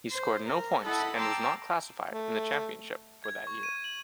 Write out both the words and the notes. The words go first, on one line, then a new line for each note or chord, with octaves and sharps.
He scored no points and was not classified in the championship for that year.
C5
A#4
E4 A4 D#5 F#5 A5 B5
G5 A5 A#5 C6 D6 E6
A3
G#6
C#6
D#7
F#7